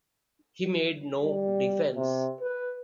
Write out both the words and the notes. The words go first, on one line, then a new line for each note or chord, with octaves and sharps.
He made no defence.
G3
C3
B4